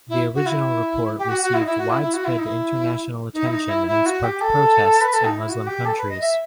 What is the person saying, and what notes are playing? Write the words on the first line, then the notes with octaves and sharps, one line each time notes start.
The original report received widespread international attention and sparked protests in Muslim countries.
E4
F#4
E4
G4
F#4
F#4
E4
D#4
E4
F#4
E4
E4
F#4
E4
D#4
E4
D#4
E4
D#4
E4
E4
F#4
G4
A4
B4
A4
D#4
E4
F#4
G4
A4
B4
D#5
E5